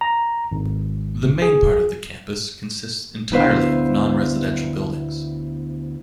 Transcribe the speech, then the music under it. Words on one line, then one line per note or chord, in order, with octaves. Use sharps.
The main part of the campus consists entirely of non-residential buildings.
A#5
G#1
G#4
D2 B3 E4 B4 C5 F5